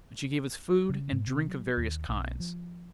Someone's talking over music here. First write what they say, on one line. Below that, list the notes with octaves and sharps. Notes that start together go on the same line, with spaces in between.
And she gave us food and drink of various kinds.
C#3
G#2
C3
F#3
D#2
B1
F3